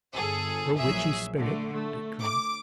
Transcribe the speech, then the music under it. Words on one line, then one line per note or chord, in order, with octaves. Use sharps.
"For a witch's spirit?" Dick cried.
G1 G#4 A4
A#1 F#3 G#4 E5
D3 A3
A3
D6